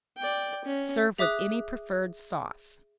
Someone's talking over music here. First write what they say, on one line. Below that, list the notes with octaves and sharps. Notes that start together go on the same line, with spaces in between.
Serve with any preferred sauce.
D5 G5
C#4
G#4 E5 D6 D#6 F#6